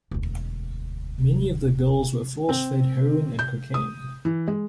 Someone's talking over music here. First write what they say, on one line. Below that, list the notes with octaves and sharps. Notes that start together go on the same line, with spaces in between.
Many of the girls were force-fed heroin or cocaine.
E1 D2
C4
G6
D#6
E3
G#3